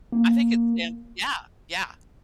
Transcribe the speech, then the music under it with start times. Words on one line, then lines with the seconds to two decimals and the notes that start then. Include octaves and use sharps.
I think it's stands Yeah, yeah.
0.12 A#3